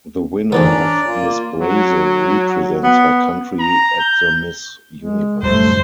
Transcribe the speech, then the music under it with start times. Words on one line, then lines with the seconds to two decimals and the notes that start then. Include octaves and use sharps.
The winner of Miss Brasil represents her country at the Miss Universe.
0.52 G#2 E3 B3 C#4 D4 D5 A#5
1.07 A#3 F4
1.61 F#3
2.83 B3
3.59 A#5
3.99 G6
4.96 G#3
5.43 D1 F#2 G3 A3 C5